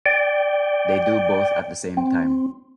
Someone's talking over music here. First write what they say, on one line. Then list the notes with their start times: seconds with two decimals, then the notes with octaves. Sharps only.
They do both at the same time.
0.06 D5 G5
1.97 C4